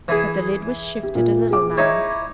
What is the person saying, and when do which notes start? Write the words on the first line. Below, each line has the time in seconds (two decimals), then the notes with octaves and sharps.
But the lid was shifted a little now.
0.08 E3 E4 G#4
1.03 G4
1.15 A#2
1.50 G#4 D6
1.77 D#4 E4 C#5